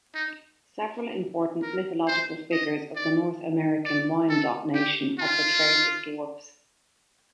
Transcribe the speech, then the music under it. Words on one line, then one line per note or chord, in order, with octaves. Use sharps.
Several important mythological figures of the North American Wyandot nation are portrayed as dwarfs.
D#4
A#4
C5
D#5
D5
D5
A4
G4
F4